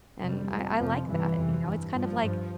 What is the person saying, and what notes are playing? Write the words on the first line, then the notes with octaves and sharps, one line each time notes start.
and I I like that, you know? It's kind of like
F2 C3 G3
F2 C3
F2 C3 F3
G2 E3
F2 C3
G2
G2 F3
G2